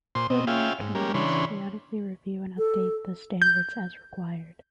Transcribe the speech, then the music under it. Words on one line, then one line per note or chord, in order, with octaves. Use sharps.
Standing committees periodically review and update the standards as required.
A#2 C5 C6
B2 C4 D#5
C#4 F4 G#4 E5 F5 G5
G#2
G#3 A#3 C#4 G4 A#4
C#3 E3 D4 C#5 B5 C6
A4
G6